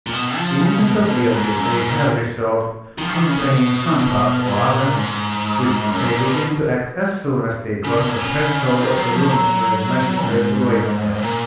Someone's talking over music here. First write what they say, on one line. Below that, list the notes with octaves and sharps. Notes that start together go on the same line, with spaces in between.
Innocent or guilty, they have resolved, on playing some part or other, which they begin to act as soon as they cross the threshold of the room where the magistrate awaits them.
A#2
B2
F3
C#3
B2
G#2
B2
G#2
F#2
G#2
A#2
D#3
F3
C#3
D#3
C#3
B2
B2
A#2
G#2
F#2
G#2
A#2
B2
C#3
B2
A#2
C#3
D#3
F#3
F3
F#3
G#2
A#2